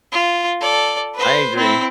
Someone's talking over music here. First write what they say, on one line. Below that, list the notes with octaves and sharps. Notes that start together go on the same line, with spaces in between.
I agree.
F4
A4 D5
B4 C5
C4 E4